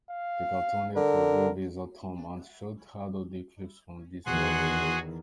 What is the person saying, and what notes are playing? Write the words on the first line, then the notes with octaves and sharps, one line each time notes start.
The Cartoon Network "Groovies" Atom Ant short had audio clips from this film.
F5
D3 A#4
E2 D#3 F#4 G#4 F#5 G#5 C6 F#6